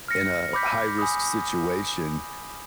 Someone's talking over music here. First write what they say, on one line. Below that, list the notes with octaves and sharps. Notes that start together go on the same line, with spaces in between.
in a high risk situation
F6 A#6 C#7
B5 D6 G6 B6
G#5 B5 D#6